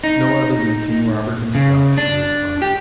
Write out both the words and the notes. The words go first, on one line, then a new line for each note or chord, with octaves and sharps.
"No other than King Robert himself," she responded.
D#4
C#3
D4
G4